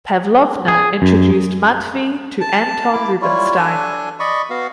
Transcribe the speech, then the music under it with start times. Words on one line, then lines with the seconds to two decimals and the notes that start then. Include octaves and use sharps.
Pavlovna introduced Matvei to Anton Rubinstein.
0.68 G#4
1.02 F#2
2.41 A5
2.93 A#3 E4 D6
3.22 G3 E4 F4 C#5
3.58 D4 A4 G#5
4.20 D5 D#5 B5 C#6
4.50 B3 F#4 F5